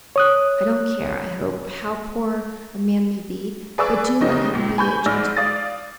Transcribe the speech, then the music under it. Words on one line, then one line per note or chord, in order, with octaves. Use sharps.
I don't care, I hope, how poor a man may be, but do let him be a gentleman.
C#5 D#6 F#6
G#4 B4 D5 G#5 C#6 E6
F#1 C#3 C#4 D#4 G4 D#5
C#2 A#2
G#5 B5 C#6 G6
G#2 D5 E6 F6 A#6
D5 F5 D#6 A6